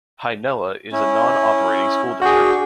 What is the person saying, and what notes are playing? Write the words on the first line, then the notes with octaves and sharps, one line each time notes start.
Hi-Nella is a non-operating school district.
C#4 E4
D4 F#4 G#4 G5